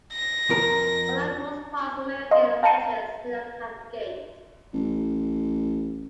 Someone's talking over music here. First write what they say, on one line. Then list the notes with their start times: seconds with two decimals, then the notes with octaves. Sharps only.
Unlike most parks, American Adventures did not have a gate.
0.12 A#6
0.49 F2 F3 A#4
2.31 D#5 F5 C6
2.63 F5 A5 A#5 C#7 D#7
4.73 A1